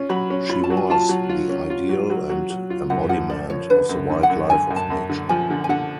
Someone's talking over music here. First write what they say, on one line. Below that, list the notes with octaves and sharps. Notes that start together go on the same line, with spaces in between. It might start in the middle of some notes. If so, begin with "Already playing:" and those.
She was the ideal and embodiment of the wild life of nature.
Already playing: C#4 F4
F#3 B5
C#4
F4 B5
A5
F#3
G#5
F4 A5
F#3
F4
C#4
F4
F#3
F#3
F#3
F#3
F4
F#2 F#5
F3 F#5
D3 D5
F3 C#5
D3 B4
F#2
D3
F#5
F#2
D3 G#5
F#2
A5
F#2
D3
F3 G#5
D3
G#5
D3 F#5